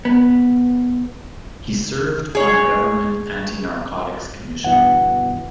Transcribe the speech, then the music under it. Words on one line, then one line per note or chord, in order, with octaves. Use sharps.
He served on a government anti-narcotics commission.
B3
G#4 C#5
G1 B2 E3 F#5